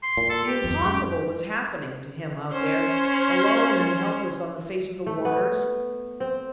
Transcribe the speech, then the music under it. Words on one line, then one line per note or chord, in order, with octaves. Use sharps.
The impossible was happening to him, out there, alone and helpless on the face of the waters.
C6
A#2
A4
G4
D#1 F2
F#2 G#3
C#4 C5 C#5
A3
B3
C4